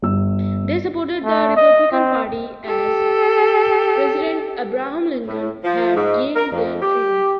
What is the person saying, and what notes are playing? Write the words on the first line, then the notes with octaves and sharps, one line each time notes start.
They supported the Republican Party, as President Abraham Lincoln had gained their freedom.
G1 E6
A3
D#5
C4
G4 A4
A2
F3
G#2
A#4
F2
G4